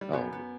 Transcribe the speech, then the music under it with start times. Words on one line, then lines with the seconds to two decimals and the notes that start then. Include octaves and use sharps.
Oh, yeah.
0.01 G3
0.13 F#2 F#3 B3
0.32 B3